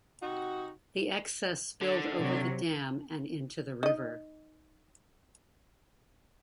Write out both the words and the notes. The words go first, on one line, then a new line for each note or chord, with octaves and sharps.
The excess spilled over the dam and into the river.
C3 D#4 F#4
D3
C3 F#3
D#4 D#5